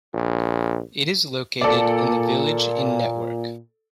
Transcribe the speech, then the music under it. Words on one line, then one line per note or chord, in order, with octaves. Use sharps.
It is located in the village in Network.
A#1
A#2 A4 D5